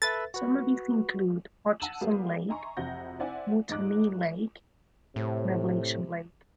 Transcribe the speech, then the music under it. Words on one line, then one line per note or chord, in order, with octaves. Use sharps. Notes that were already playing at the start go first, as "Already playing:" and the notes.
Some of these include Hodgson Lake, Moutonnee Lake and Ablation Lake.
A4 B4 E5 A6
F#4 B4
F#5 A5 E6 D#7 E7 F#7
G3 B3 F#4 G#4 A#4 F5
D#5 E5 G#5 A#5 C6 C#6
F2 C3 F#4 F#5 G6 A#6
C4 E4 D5 E5 F#5 G#5
G#2 D#5 D6 F#6
A2 C3